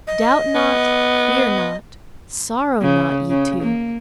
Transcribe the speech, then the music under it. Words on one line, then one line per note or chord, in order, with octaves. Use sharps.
Doubt not, fear not, sorrow not, ye two.
D#5
B3
C#3
C#3
A#3